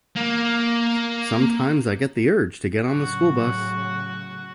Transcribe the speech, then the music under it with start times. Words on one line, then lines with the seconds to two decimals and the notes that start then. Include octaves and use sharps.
Sometimes I get the urge to get on the school bus.
0.16 A#3
2.86 A2 C#3 F#3 F#4